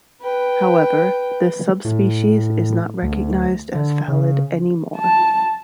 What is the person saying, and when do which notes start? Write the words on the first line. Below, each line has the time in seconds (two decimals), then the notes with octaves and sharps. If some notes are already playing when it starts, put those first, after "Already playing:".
However, this subspecies is not recognized as valid anymore.
0.21 B4 G5
1.85 A2
3.03 D2
3.75 D3
4.08 C#3
4.97 A5